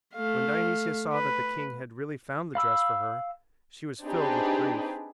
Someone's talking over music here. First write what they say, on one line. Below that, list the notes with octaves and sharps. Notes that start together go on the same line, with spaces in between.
When Dionysia saw that the king had really found the dress for her she was filled with grief.
A3 F5
B4
F5 B5 E6
C4 D4 D#4 G4 G#4 B4